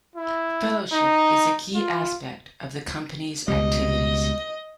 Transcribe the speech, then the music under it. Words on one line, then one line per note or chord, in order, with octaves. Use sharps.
Fellowship is a key aspect of the Company's activities.
E4
D#4
F4
C#2 B2 G3 D#5